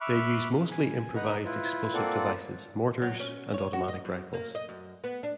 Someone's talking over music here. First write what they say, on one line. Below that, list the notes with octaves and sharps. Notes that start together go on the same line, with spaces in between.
They use mostly improvised explosive devices, mortars, and automatic rifles.
E5 B5 C#6 D6 F6 F#6
G#5
D#4 B4 D#5 F#5 A#5
E4 F4 B4
A#3 C4 F4 A4 D5 F#5
F#3
C#4
C#5
F#4
D#5
F#2
A#3
D#5
F#2
B3
D4